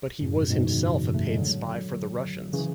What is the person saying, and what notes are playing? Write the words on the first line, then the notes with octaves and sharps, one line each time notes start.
But he was himself a paid spy for the Russians.
F#2 A2
G#2 B2
G#2 B2
C#3 E3
A3
G#3
D3 F#3
C#3 E3